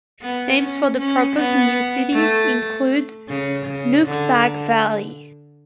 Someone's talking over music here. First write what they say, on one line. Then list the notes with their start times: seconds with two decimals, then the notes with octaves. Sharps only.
Names for the proposed new city include "Nooksack Valley".
0.21 B3
0.59 C#4
0.98 C#4
1.36 B3
2.12 A3
3.28 C#3
3.66 C#3
4.04 D3